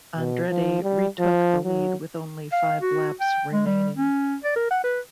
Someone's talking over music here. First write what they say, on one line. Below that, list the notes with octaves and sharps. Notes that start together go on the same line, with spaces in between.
Andretti re-took the lead with only five laps remaining.
B2
F3
G3
F3
F#3
F5
F#4
G5
G#3
G3
C#4
D5
A#4
F#5
B4